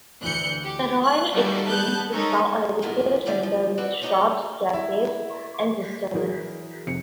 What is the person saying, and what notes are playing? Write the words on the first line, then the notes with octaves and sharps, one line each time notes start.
The Royal Exchange is now a retail centre with shops, cafes and restaurants.
D2 E3 F#6 G6 C#7
G4
F#6
D#3 G3 A3 A#3 F#4 D5
B3 A5 F#6 G6
G#3 C#4 D#4 A4 A#4
A2 D#3 A#3 B3 F4
D3 E3 G3 C#4 D4 E4
F3
C4 F#4 B4 D5
G3 A3 D#4 F#4 C5 C#5
E4
E3 F#3 G#4 A#4
F1 C#7